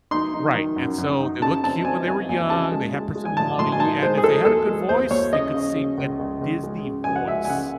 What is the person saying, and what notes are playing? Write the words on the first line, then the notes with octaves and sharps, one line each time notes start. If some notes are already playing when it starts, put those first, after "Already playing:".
Right, and, so, they looked cute when they were young, they had personality, and if they had a good voice, they could sing a Disney voice.
D#4 C6
D#4
D#3
F#2
F#2
D#4
C#3 A5
C4 A5
C4 G#5
C4 G#5
D#2 G#5
C#3 A5
G#3
G#3
G#3
G#5
A2 A5
A2 C6
G#5
D#4 A5
G#3 C5
G#4
G#3 A4
D#2 A4
G#3
D#2 C5
D#2 C#5
C#3 D#5
C#3
C#3
C#2
C#2
C#2
G#3
C#3
C#2 G#5
F#5
C#2 E5
G#5
C#3 F#5